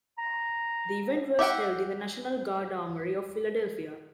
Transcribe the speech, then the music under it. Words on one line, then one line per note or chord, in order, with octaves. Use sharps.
The event was held in the National Guard Armory of Philadelphia.
A#5
G4 E5 F#5 G5